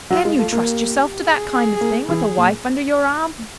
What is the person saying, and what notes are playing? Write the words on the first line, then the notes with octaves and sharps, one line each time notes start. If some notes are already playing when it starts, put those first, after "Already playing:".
Can you trust yourself to that kind of thing, with a wife under your arm?
F#3 F4
G#3
A3 F4
A#3
G4
G#4
G#4
A#3
E3 G#4
A#2